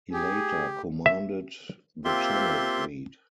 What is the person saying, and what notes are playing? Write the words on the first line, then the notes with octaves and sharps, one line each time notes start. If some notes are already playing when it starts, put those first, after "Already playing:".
He later commanded the Channel Fleet.
G4 G#4
E5
A#3 C4 F4 G4 E5 C6